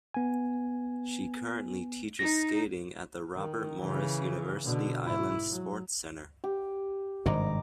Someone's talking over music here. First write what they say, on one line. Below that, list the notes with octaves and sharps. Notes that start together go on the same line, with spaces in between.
She currently teaches skating at the Robert Morris University Island Sports Center.
B3 G#5
D#4 A#6
D#3
C#3 E3
B2 D3
G#2 E4
F#3
G4
G#1 G2 C3 D#5 A#5 D6